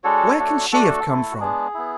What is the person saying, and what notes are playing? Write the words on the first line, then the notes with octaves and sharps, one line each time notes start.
Where can she have come from?'
G#3 D4 F#4 A4 C#5
A3 D4 F#4
A3 D4 F#4 A4
A3 E4
F#4
G#3 B3 D4 G#4
B3 E4